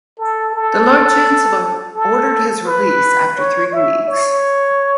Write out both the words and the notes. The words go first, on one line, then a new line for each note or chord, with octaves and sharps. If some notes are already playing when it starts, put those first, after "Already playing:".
The Lord Chancellor ordered his release after three weeks.
A4
A4
A4
B4
C#5
E5
C#5